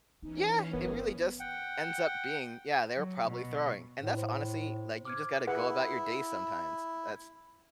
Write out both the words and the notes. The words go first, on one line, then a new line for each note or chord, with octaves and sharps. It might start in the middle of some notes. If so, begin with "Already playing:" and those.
Yeah, it really just ends up being, "Yeah, they were probably throwing." And that's honestly, like, you just gotta go about your day sometimes. That's
E3 B3 C#4 D#4
G1 B3 A#4
F#5 G5
F#3
B2
A2
C5
D6 F6 G#6
E4 G#4 B4 F#5